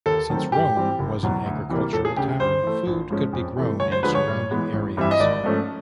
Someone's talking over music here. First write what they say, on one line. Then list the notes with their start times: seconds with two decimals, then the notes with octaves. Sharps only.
Since Rome was an agricultural town, food could be grown in surrounding areas.
0.06 D#2 A4
0.30 D#3 F#3 A3 C4
0.52 G2 G4
0.76 E3 G3 C4
0.99 F#1
1.23 E2 B2 F#3
1.46 D2
1.69 C3 E3 G3 A#3
1.93 E1 A4
2.05 G#4
2.16 D2 C#3 G4
2.39 G2 C5
2.63 E3 A3
2.87 A#1
3.10 G#2 F3 G#3 C#4
3.33 F2
3.56 C3 E3 A3
3.80 D2 C#5
3.92 C5
4.03 D3 F3 G#3 B4
4.15 C#5
4.28 G2
4.51 E3 G#3 B3
4.73 A1
4.97 G2 E3 G3 C4 E5
5.11 D#5
5.20 G#1 D5
5.44 G#2 F3 A3 C#4